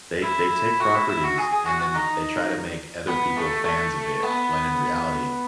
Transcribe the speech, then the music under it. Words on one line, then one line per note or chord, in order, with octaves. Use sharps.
They they take properties and then they try to make other people fans of it, when in reality,
E4
F#4
E4
E4
F#4
G#4
G#4
F#4
F#4
D#4
B3
A3
A3
B3